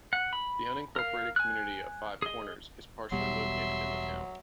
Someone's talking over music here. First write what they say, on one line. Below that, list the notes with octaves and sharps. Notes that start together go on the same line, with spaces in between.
The unincorporated community of Five Corners is partially located in the town.
F#5
B5
A#4 F5
G#5 F#6
G#4 D#5
E1 B2 F#3 G3 E5 C6